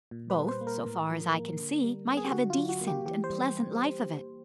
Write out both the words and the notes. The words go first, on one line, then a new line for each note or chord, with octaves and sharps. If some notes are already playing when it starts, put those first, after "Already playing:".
Both, so far as I can see, might have a decent and pleasant life of it.
A#2
B4
G3
C5
A#3
A#4
A2
F3
A#3
D3
G3
B3
G#4
G4
D3 F#4
F4
F#3
F#4
A#3
G4
E3 G4
C5
G3